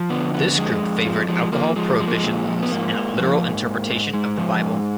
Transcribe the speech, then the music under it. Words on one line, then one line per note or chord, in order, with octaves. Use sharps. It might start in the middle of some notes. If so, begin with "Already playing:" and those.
This group favored alcohol prohibition laws and a literal interpretation of the Bible.
Already playing: F3
D3 B3
F2 B3
F2 G#3
F2
F3
F3 G#3
F3 A#3
F3 G#3
F3 G#3
A#3
G#3
A#2
F3
B3
G#2 A#3
G#2
F3
G#2
G#2
G#2
G#2 G#3
F3
G#2